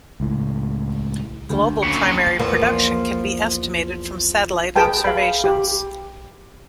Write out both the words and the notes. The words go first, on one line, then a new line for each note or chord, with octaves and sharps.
Global primary production can be estimated from satellite observations.
C#2 A2
D2
D#2 C#3 C#6
E2 F3 A#3
G#4 B4 G5 A5
F5 B5
G4